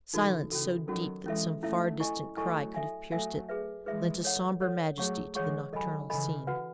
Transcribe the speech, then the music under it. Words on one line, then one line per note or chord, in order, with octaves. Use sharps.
Silence so deep that some far-distant cry could have pierced it, lent a sombre majesty to the nocturnal scene.
C#3 E3 D#4 F#4 A4
C#3 E3 C#4 F#4 A4
D#3 F#3 C#4 F#4 A4
E3 G#3 C#4 E4 A4 E5
F#3 A3 C#4 E4 A4 E5
E4 A4 D#5 G#5 C#6
F#3 A3 E4 A4 D#5 G#5 C#6
A4 E5 G#5
F#3 A3 A4 E5 G#5
G#4 B4 E5
E3 G#3 G#4 B4 E5
A4 C#5 F#5
A4 C#5 F#5
F#3 A3 G#4 C#5 F#5 C#6
E3 G#3 G#4 C#5 F#5 C#6
D#3 F#3 A4 D#5 G#5 B5
C#3 E3 A4 D#5 G#5 B5
F#4 B4 F#5